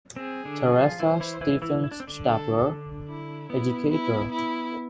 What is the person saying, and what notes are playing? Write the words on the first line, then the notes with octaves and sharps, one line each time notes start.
Theresa Stephens Stapler, educator.
C4 G#4
D3 D4
F3 F4
E3 E4 C5
E3 E4
E3 E4
E3 E4
E4
D4
C4
D3 D4
A4
E4
B3 E4
E4
E4